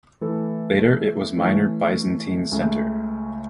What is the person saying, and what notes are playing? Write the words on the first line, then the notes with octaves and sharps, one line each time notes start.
Later it was a minor Byzantine center.
E3 A3 E4 A4
E3 A3 C#4
C#2 C#3 A3 C#4